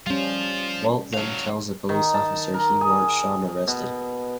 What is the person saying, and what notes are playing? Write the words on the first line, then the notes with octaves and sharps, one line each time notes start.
Walt then tells a police officer he wants Sean arrested.
G3 C#4 F4 C5
F#3 F5
D#3
A5
A#4
G#4
B2